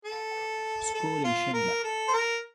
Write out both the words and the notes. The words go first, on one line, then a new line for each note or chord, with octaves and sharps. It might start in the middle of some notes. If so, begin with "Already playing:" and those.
School in Shimla.
A4
A4
F4
A#4
A4
C5
A#4